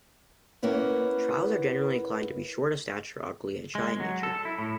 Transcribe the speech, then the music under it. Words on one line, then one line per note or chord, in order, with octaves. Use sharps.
Trows are generally inclined to be short of stature, ugly, and shy in nature.
A#3 B3 C#4 E4
G#3
F#3
A4
E4
A2